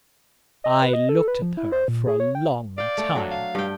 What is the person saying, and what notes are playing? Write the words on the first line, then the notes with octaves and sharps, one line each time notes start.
I looked at her for a long time.
D#5
B4
D#5
A4
B4
F3
E4
C5
A#2
G#4
C#5
G5
D5 F5 G5
A3 A4
F#3 D4 A4
F5
G2 G5